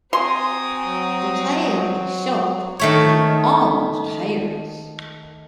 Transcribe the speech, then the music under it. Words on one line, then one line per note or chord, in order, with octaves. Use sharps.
The tail is short and almost hairless.
C4 F#4 G#5 A#5 C6 D#6
F#3
D#3 A3 C#5